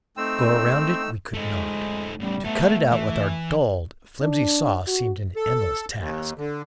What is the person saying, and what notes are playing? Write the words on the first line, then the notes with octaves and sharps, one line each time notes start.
Go around it we could not; to cut it out with our dulled, flimsy saw seemed an endless task.
A3 C4 D#4 E6
G#3 A3 D#4
A2 C#3 G3
A3 B3 A4
E3
D4
F#4
A4
D#2
D3